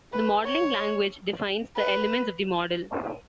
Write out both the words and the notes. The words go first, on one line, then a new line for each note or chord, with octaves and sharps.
The modeling language defines the elements of the model.
B4
C#5
B4